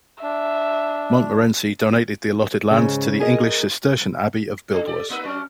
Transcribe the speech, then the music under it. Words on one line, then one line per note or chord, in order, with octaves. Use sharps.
Montmorency donated the allotted land to the English Cistercian Abbey of Buildwas.
D4 E5
G#2 C#3
G#4 A#4 D#5
G#3 D4 A4
G4 D5
A#3 D#4 B4 E6
F#3 C#4 D4 C#6 F6